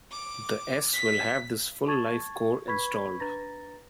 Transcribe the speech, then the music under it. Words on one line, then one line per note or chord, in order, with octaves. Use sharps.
The s will have this full-life core installed.
D6
B6
A5 C#6 G#6 A6
B4 B5 C#6 G#6 B6
D4 B4 A#5 A6 A#6